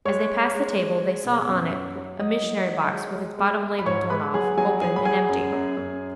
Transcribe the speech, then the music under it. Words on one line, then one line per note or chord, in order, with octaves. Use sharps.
As they passed the table they saw on it a missionary-box with its bottom label torn off, open and empty.
G#3 C#5 C#6
G#3
G#3
G#3
G#3
B2
F#2
F#3
F#3
F#3 D#5 D#6
F#3
F#3
G#3
G#3
G#3
G#3
B5
G#2 C#5 C#6
G#3 B4 B5
F#3 G#4 G#5
F#3 G#4 G#5
F#3 G#4 G#5
B5
F#3 G#4 G#5
F#2
F#2
F#2